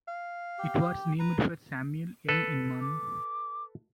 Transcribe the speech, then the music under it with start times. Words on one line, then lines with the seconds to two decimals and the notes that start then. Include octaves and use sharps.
It was named for Samuel M. Inman.
0.08 F5
0.59 G4
1.19 B4 A#5
2.29 A4 B4
2.81 D6